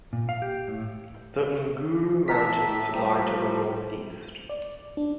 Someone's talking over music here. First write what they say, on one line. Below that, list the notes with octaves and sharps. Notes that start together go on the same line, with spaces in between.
The Nguru Mountains lie to the northeast.
A#2
F5
G4
A2
A2 E5 A5 A#5 B6
F3 G3 C4
D5
D4